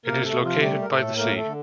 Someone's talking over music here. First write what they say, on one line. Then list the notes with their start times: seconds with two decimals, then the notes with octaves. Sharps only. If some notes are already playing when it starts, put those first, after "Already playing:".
It is located by the sea.
0.06 C3 A#3 A#4
0.24 A3 A4
0.34 C3
0.42 F3 F4
0.61 G3 A3 G4
0.82 A#4
0.89 A2 A3 A4
1.17 A3 A#3 A#4
1.35 A3 A4
1.44 D3